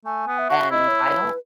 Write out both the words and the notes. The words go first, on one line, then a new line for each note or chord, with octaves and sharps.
and I don't
A3 G#5
B3
E5
F#4
E4 D#5
C#5
C#5
B4